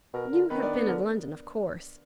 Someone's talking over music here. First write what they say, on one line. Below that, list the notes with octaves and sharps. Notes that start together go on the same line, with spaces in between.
You have been in London, of course.'
B2 A#4
D3
D#3 B3 B4
D4 D5
B3 B4
D3 A#4